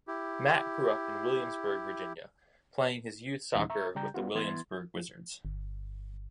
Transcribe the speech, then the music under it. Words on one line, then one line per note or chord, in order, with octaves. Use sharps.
Matt grew up in Williamsburg, Virginia playing his youth soccer with the Williamsburg Wizards.
E4 G4
D#2 A#2 E3 G3 C#4 D#4
E5 A#5 C#6
C#3 G3 D5 G5 A#5 G6
G3 B3 F4 F#4
E3 B3 E4 C6 G#6 A6
G1